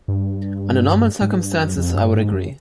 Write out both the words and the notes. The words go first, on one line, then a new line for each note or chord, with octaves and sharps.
Under normal circumstances, I would agree.
G2
G#2
G2
F#2
F2
G2
G#2
F#2